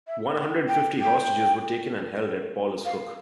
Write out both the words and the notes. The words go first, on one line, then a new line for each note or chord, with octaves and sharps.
One hundred fifty hostages were taken and held at Paulus Hook.
E5
G5
G5
G5
F5